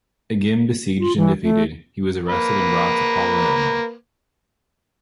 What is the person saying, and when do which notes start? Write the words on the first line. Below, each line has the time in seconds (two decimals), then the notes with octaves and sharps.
Again besieged and defeated, he was arrested and brought to Palermo.
0.99 F4
1.16 E3
1.43 A3
2.28 A#3 B4